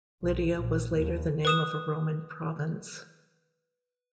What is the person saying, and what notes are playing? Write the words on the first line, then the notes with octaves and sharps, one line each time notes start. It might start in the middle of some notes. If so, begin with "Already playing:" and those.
Lydia was later the name of a Roman province.
B1
A#1
D#2
B4 D#6 E7